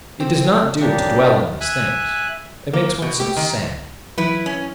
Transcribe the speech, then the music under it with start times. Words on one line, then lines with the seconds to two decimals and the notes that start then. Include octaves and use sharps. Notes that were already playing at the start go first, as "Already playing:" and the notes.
It does not do to dwell on these things; it makes one so sad.
0.20 C4
0.81 C#3 A#3 D4 G4
1.61 E5 G#5 F#6
2.73 A#3
3.02 B2
3.20 G4
3.37 D#3
4.18 E3 F#3 E4 B4
4.46 C#4